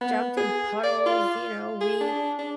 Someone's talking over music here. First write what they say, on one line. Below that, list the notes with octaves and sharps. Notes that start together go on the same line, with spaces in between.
jumped in puddles, you know, we
B3
G#4
D5
F4
G#4
D4
D4